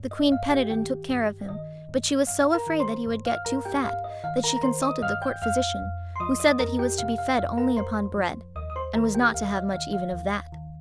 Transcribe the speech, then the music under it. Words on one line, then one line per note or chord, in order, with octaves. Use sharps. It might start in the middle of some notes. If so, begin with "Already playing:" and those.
The Queen petted and took care of him, but she was so afraid that he would get too fat that she consulted the court physician, who said that he was to be fed only upon bread, and was not to have much even of that.
Already playing: G2
D#5
G2 F5
G4 G5
D#3 G4 G5
G2
D#3 D#5
G2
G2 F5
A#4 A#5
D#3
C5 C6
G2
F5 F6
G2 A#4 A#5
G4 G5
G2 F5
D#5
D#3 F5
A#4 A#5
A#5
D#3 C5 C6
D#5 D#6
G2 F5 F6
G5 G6
F2 F5 F6
F2
C6
F3 D#5 D#6
D#5 D#6
F2 A#4 A#5
G4 G5
C3 F5
F5
F2 F5
A#4 A#5
F2 C5 C6
F3
D#2 D#5 D#6
D#6
C5 C6
D#3 A#4 A#5
G4 G5
D#2 F5
D#5
F5
D#3 F5
F5
D#2
D#3